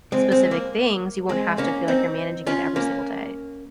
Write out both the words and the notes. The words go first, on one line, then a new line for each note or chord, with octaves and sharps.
specific things, you won't have to feel like you're managing it every single day.
G#3 C4
G#3 C4
A#3
G#3 C4
A#3 C#4
C4 D#4
C#4 F4
A#3 C#4